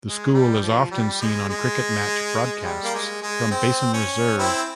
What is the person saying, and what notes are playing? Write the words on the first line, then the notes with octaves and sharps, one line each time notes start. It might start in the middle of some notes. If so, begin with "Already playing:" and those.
The school is often seen on cricket match broadcasts from Basin Reserve.
G#3
G3
F3
G3
G#3
G#3
G3
A#3
G#3
G#3
C4
C#4
C4 E4